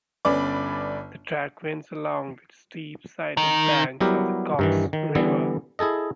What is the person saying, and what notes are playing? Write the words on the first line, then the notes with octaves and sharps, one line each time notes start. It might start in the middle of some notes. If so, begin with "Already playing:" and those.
The track winds along the steep-sided banks of the Coxs River.
G1 C#4 B4 D5 D6
D#3
F#3 G3 B3 E4 G4 A#4
G2 D#3 E3
D#3
D3 E3 G3 B3 E4
E4 G#4 A4 D#5